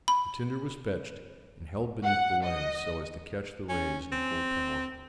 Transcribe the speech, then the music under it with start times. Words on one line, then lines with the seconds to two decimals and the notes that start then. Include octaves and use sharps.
The tinder was fetched, and held beneath the lens so as to catch the rays in full power.
0.08 B5
2.03 F#5
2.45 D#5
3.69 C#4
4.12 C4